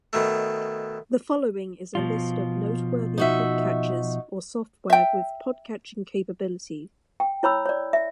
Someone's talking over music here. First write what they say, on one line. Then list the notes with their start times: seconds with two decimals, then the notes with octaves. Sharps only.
The following is a list of noteworthy podcatchers or software with podcatching capability.
0.13 B2 D#3 A3
1.95 B2 F3 F4
3.18 D#4 F#4 E5
4.90 E5 G5
7.20 G5
7.43 E4 C#5 B5 E6
7.66 C#5 D5
7.93 E5